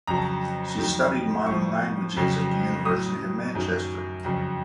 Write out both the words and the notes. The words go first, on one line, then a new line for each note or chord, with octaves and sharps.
She studied modern languages at the University of Manchester.
F2 C#3 F#3 A#5
A5
A#5
F2 D#3 F#3
A2 F3 C#6
F2 C#3 F#3
A2 F#3 D#6
F#2 D#3 F#3
F2 C#3 F#3